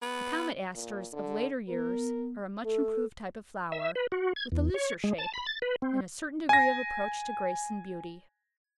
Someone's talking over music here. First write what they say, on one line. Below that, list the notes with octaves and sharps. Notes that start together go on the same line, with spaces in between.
The Comet Asters of later years are a much-improved type of flower, with a looser shape and a certain degree of approach to grace and beauty.
B3
A#2
D3
B3 A#4
A3 A4
E5
B4
F#4
G#6
E2
C#5
G#3
A5
B5
A6
B4
C4
G#5 A#6